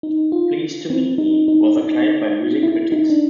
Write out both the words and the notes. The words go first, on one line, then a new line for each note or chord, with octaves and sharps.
"Pleased to Meet Me" was acclaimed by music critics.
D#4
F4
C4
D#4
D#4
D#4
E4
D#4
D4